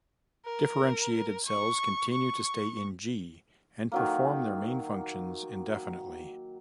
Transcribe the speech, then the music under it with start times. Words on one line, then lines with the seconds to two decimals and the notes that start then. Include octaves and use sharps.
Differentiated cells continue to stay in G and perform their main functions indefinitely.
0.46 A#4
1.46 C#6
2.12 C#6
3.92 D#3 F#3 A#3